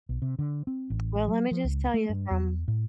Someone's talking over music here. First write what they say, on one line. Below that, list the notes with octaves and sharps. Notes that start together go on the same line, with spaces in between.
Well, let me just tell you from
B1
C3
D3
C4
A1
F#3
F3
C#2
A3
G2
E2
A2